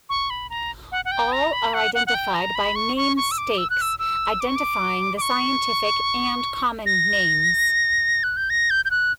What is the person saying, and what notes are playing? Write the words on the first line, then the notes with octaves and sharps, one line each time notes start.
All are identified by name stakes identifying the scientific and common names.
C#6
B5
A#5
F#5
F#5
G5
A#5
B5
F#5
F#5
F#5
G5
A#5
B5
C#6
C#6
C#6
E6
D6
E6
F#6
E6
E6
D6
C#6
D6
D6
C#6
A#6
F#6
G6
A#6
G6
G6
F#6